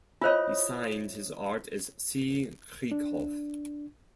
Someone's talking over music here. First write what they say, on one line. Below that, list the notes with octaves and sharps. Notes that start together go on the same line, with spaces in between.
He signed his art as C. Krieghoff.
E4 F4 C5 C#5 D#5
D4